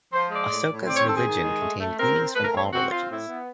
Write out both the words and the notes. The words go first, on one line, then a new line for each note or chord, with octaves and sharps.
Ashoka's religion contained gleanings from all religions.
F3 C5
G#3 D5
A2
A2
C4 D5
C#5
D#3 A4
G#4
D#3
G#3
A3
A3
C4 A#4
C4
A3 B4
A#4
C4 C#5
C4 F#4
C4 F4
A2 E4
B3